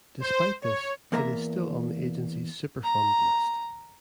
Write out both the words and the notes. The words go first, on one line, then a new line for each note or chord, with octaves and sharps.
Despite this, it is still on the Agency's Superfund list.
C5
C#5
E2 A#3 A#4 E5 A#5
A#5